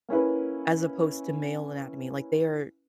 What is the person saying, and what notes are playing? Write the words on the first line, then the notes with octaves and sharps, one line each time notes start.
as opposed to male anatomy, like, their
A#3 C#4 E4 B4